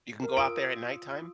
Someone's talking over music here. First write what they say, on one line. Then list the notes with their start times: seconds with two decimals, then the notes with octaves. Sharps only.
You can go out there at nighttime.
0.23 A#4
0.37 F4 D#6 E6 D7